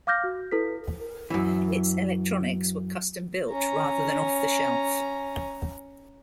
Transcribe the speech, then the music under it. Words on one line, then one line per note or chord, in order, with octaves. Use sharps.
Its electronics were custom built rather than off-the-shelf.
F5 D6 F6 G6 A#6
F#4
E4 A4 B4 B6
F#2 E3
C#4 A#5